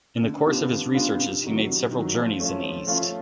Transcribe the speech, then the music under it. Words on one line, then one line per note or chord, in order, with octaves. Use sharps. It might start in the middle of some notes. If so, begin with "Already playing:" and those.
In the course of his researches he made several journeys in the East.
D3
G3 B3 D4 F4
D3
G3 B3 D4 F4
C3
D#3 F#3
C3
D#3 F#3
F3
A3 C#4 F4
F3
A3 C#4 F4